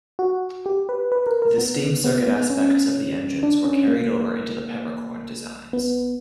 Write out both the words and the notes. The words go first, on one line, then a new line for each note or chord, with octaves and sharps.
The steam circuit aspects of the engines were carried over into the Peppercorn designs.
F#4
G4
B4
B4
A#4
A#4
B3
B3
B3
C#4
D4
C#4
A#3
B3